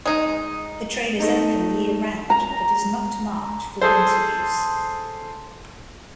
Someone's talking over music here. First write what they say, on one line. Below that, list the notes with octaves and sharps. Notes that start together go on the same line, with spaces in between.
The trail is open year-round, but is not marked for winter use.
G#3 D#4
A3 D#4
A#5
G#4 A4 C5